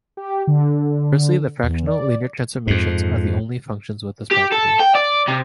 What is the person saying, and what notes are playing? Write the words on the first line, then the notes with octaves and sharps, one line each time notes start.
Conversely, the fractional linear transformations are the only functions with this property.
G4
D3
E2
D5
F2 G#2
G4
A4
G5
D5
C3